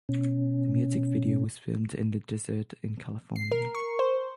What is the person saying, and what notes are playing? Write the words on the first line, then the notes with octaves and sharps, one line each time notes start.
The music video was filmed in the desert in California.
B2 C#4
C7
A#4
C#6
C5